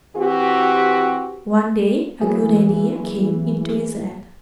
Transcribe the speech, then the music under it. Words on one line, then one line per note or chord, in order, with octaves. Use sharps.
One day a good idea came into his head.
E3 C4 F#4 G4
E3 F#3 A#3 G#4